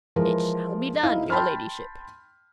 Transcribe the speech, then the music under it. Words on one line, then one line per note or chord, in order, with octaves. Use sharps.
"It shall be done, your ladyship."
E3 F3 G#3 A#4
D#4 E4 F5
G5 A5 B5 C6 F6